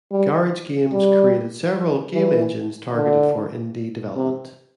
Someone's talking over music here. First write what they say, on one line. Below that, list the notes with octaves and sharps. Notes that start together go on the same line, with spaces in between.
GarageGames created several game engines targeted for indie development.
G3
G3
E3
D3
C3